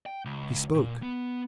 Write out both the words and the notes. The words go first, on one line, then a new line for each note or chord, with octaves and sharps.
He spoke.
G5
C#2
A#2
B3